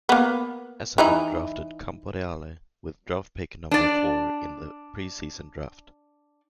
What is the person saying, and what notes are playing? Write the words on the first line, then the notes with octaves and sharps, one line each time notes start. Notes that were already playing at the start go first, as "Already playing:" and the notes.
Essendon drafted Camporeale with draft pick number four in the pre-season draft.
A#3 B3
E3 D#4 E4
D4 D5